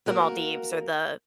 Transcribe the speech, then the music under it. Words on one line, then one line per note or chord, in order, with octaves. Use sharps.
the Maldives or the,
A#3 F#4 A#4